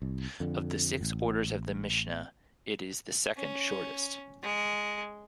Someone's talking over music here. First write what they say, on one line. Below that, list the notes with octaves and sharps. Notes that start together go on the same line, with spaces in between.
Of the six orders of the Mishnah, it is the second shortest.
C2
F2 D3
A1
C#4
G#3